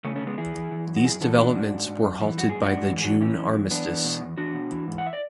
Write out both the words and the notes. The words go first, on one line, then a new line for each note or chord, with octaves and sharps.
These developments were halted by the June armistice.
C#3 A3 C#4
A3 C#4
C#3
G#3 B3
E3 E4 G#4
E3
E3
F#2
F#4
F#2 E4 G#4
E3 F#4 A4
E4
G#2 D4 F#4
G#2
G#2
G#2
F#2
E3
F#2 F#4
G#4
F#2
D4 F#4
G#2
E3
G#4
E3 D4 F#4
E3 C#4 E4
F#2
E3
E3 B3 D4
E3
B2
E2
E2 D4 F#4
B2
E3
G#2
F#5
E5
D5